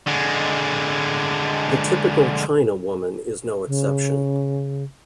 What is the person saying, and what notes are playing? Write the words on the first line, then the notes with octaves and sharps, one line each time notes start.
The "typical" "china" woman is no exception.
D3 G#3
C#3